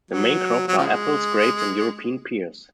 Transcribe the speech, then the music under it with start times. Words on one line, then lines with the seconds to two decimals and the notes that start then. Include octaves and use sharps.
The main crops are apples, grapes and European pears.
0.11 F#3
0.68 F#3
0.78 C#3 F3 G#3